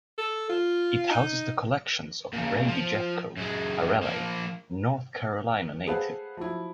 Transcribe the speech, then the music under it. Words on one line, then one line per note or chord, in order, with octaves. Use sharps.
It houses the collections of Brady Jefcoat, a Raleigh, North Carolina native.
A4
F4
D#4
A#2 C#3
F3
F#2 G#3
F3 A#3
G#4 A4 B4 C5 F5 F#5
F3 F#3 E4